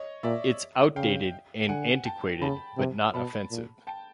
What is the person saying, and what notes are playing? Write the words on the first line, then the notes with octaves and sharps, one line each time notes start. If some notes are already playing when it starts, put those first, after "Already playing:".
It's outdated and antiquated but not offensive.
Already playing: C#5 D#5
A#2 D5 E5
C#3 F5 G5
D3 F#5 G#5
G5 A5
C#3 A5 B5
C3
B2 A5 B5
A#2
G5 A5